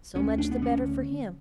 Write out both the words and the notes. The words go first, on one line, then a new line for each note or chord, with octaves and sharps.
So much the better for him.
D2 C#4
D4
B3
D3 C#4